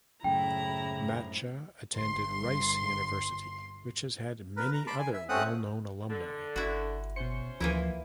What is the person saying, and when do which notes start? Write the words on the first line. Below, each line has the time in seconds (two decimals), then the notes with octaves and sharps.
Macha attended Rice University, which has had many other well-known alumni.
0.24 F#2 A2 C#3 E4 G5 A#5
1.95 G1 C6
4.57 A#4 B4
4.74 A#5
4.87 A5 B5 C6 D6
4.99 G#5
5.14 E5
5.29 A3 C4 C#4 F#5 D#6 F#6
6.10 D3
6.56 G1 E4 F#4
7.16 B2 C#4 C5 C#7
7.60 D2 E3 F3 A#3 E4